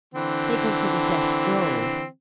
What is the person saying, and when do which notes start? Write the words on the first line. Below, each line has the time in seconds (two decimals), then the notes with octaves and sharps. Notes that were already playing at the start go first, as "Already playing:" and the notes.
They considered death droll.
0.14 D3 E3 C4